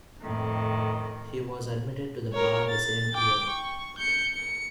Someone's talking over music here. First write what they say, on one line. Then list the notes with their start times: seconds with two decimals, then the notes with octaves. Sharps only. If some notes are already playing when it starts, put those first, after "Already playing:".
He was admitted to the bar the same year.
0.21 F2 A2 D#3
2.33 A#4 C#5
2.70 A6
3.14 G5 D6
3.51 C#6
3.99 G6 C#7
4.34 C#7